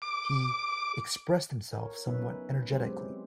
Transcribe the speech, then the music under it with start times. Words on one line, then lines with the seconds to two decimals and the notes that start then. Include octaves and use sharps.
He "expressed himself somewhat energetically".
0.02 D6
1.73 A#4 C#5
2.07 F#3 B3 C#4 D#4 B4 E5
2.70 F#3 G#3 C4 C#4 G4 C5